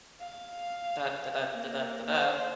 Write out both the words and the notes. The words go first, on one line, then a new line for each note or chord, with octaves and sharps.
,"dah, da dah, da dah, da dah,"
F5
A#3
C5